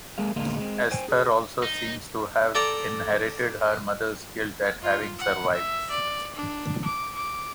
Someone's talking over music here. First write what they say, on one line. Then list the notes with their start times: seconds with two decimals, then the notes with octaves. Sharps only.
Esther also seems to have inherited her mother's "guilt at having survived".
0.18 G#3 A#3 G#4 F5
0.36 D2 A#2 G#3 A#3 F4
0.57 G#3 C4
0.91 C5 G5 G#5
1.09 G#4
1.63 D#4
2.55 A4 D5 G5 A#5
4.82 F4
5.19 F#5
5.53 E5
5.91 D5
6.36 D4
6.85 D6
7.16 D6